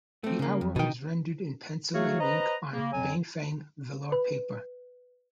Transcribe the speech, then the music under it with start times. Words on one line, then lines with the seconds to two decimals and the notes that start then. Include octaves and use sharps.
The artwork was rendered in pencil and ink on Bienfeng velour paper.
0.24 A3 C4
0.39 C#3 A#3
0.61 F2
0.76 B2 D#3 D#4 G5
1.94 F#3 A3 F#4 G#4 C#5 F5
2.20 B4 C5 D#5 A#5
2.73 C#3 A#3
2.93 F2 F#3 G#5
4.12 B4